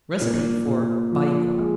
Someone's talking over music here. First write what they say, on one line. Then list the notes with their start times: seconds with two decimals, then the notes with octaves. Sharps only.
Recipe for Baikwa.
0.21 A#2
0.67 A#2
1.12 F3
1.58 G#3